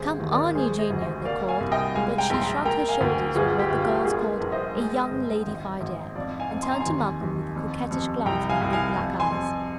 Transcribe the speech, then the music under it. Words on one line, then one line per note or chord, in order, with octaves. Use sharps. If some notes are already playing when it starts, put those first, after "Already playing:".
"Come on, Eugenia," they called, but she shrugged her shoulders with what the girls called a "young ladified air," and turned to Malcolm with a coquettish glance of her big black eyes.
Already playing: G#1 D#2 G#4 C5
D#2
A#4 D5
G#3 G#4 C5
C5 D#5
D2
C5 D#5
A#3 D5 F5
F5 G#5
C2
D#5 G5
G#3 F5 G#5
G5 A#5
A#1 C6
G5 A#5
A#3 G5 A#5
F5 G#5
D2
G1 F4 G#4
G4
G1
F4
G4
A#3 F4 G#4
A#1
C5 D#5
G#3
G1
G#1
G#1
F2 D5 F5
F5 G#5
F2
C6
A#5
G#5 C6
D#2
D#2
F2
F2
C2 G5 A#5
F5 G#5
C2
F5 G#5
F2
G#5 C6
F2